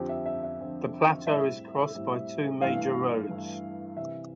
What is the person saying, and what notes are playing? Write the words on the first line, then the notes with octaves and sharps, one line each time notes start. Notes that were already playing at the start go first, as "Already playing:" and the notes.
The plateau is crossed by two major roads.
Already playing: F2 D3 F3 C4 G4
E5
E5
E5
F2 D3 F3 C4
A2 G3 C4 E4 E5
A2 G3 C4 E4
G2 E3 A3 E4 F5
G2 E3 A3 E4
C3 E3 G3 E5